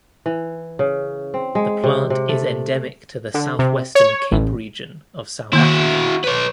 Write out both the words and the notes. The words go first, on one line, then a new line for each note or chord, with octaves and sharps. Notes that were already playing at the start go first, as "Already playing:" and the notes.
The plant is endemic to the southwestern Cape Region of South Africa.
E3
C#3
C4
G#3
C3
C3
A3
D3
C3
C#5
A1
D#3 A#3 E4 F#4
B4 C#5